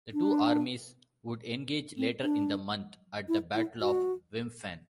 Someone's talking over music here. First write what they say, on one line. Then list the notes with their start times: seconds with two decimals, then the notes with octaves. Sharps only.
The two armies would engage later in the month at the Battle of Wimpfen.
0.14 D4
1.97 C4
2.23 D4
3.28 E4
3.55 E4
3.81 F#4